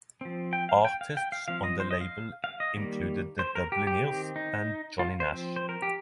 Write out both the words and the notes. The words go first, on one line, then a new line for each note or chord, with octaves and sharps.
Artists on the label included the Dubliners and Johnny Nash.
F3 C4
G5
F5
G5
F5
G5
F5
F3 C4 F5
D#5
C5
D#5
F5
F5
D#5
D#3 G3 A#3
C5
A#4
G4
G4
D#3 C4
D#4
F4
C5
F3 C4
C5
A#4
G4